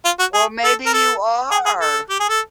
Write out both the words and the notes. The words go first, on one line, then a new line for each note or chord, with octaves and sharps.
Well, maybe you are.
F4
F#4
G#4
A4
A#4
A4
G#4
G#4
A4
G4
G#4
A4